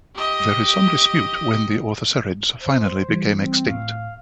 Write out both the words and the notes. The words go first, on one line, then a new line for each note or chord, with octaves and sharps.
There is some dispute when the orthocerids finally became extinct.
G4 D#5
C5
E3 G3
C4
A2 F5